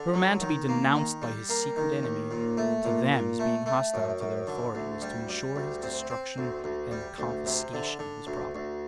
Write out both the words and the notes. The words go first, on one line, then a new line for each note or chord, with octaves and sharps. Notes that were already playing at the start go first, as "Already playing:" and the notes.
For a man to be denounced by his secret enemy to them as being hostile to their authority was to ensure his destruction and the confiscation of his property.
Already playing: D3
F#3
D#3
A#3
D#3
G3
A#3
D#3
D#2
A#2
A3
A#2
A#2
A3
A3
F#2
F#2
D3
D2
G3
G3
D2
C4
C4
D2
D2
G3
D2
C3
D3
D3
D2
D2